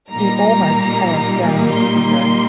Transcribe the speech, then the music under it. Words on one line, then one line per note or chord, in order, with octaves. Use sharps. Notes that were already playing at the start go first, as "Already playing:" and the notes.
He almost had Downs syndrome.
A#2 G3 A#3 D#4 A#5
C6